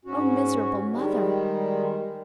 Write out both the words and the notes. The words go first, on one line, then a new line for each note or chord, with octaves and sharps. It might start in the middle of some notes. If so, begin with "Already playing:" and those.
'O miserable mother!
G#2 C#4 F#4
D#3 G3 G#3